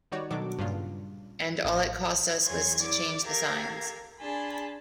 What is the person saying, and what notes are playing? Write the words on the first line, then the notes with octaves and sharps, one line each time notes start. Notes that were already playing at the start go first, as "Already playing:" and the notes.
And all it cost us was to change the signs.
D#3 G3 D#4 F#4 C#5 D5
B2 D#3 F#3 D4 A4 D6
G2 A#2 C#3 D4 F4
A1 F5 C#6 A#6
E2 F#3 G#4 C#5 C6 G#6
E4 D5 D6
G4 A4 A#4 F5 A#5 G#6
D4 G#4 G#5 A5 B5 C6